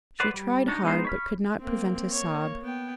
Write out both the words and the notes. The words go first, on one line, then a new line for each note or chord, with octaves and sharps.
She tried hard, but could not prevent a sob.
B4 C5 D5 F#5
G3
D4 D#4 C#5
G#3 B3 D#4 C5
C#5 B5 F6
A#3 C4
A#3 C#5
B3 G5